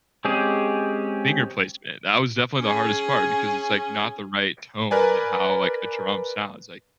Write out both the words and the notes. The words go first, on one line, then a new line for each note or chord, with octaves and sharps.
finger placement, that was definitely the hardest part, because it's, like, not the right tone that how, like, a drum sounds, like,
G#3 C4 C#4 G4 G#4
C#4 G#4
A#4 B4 D5 G#5